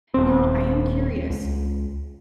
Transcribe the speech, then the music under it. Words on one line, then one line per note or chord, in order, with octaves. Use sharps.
Now, I am curious.
D#1 C4
C#2